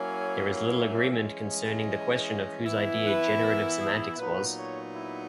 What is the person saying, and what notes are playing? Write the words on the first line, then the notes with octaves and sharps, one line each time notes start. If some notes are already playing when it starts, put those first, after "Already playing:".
There is little agreement concerning the question of whose idea generative semantics was.
Already playing: F#3 A#3 C#4 E4 G#5
E5
E3 G#3 C#4
D#5
E3 B3 E4
B4
A#4
G#4
A#2 F#3 B3 D#4 B4
C#5
E4